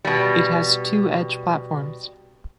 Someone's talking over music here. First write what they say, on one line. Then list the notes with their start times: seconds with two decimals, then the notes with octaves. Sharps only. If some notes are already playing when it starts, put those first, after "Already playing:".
It has two edge platforms.
0.05 B2 G3